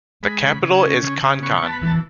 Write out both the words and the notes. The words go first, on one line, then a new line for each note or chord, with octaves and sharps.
The capital is Kankan.
G#3 B5
C#3
C#3
C#4
C#3
C#3
B3 C#6
C#6
B3 A5
B5
E3 A5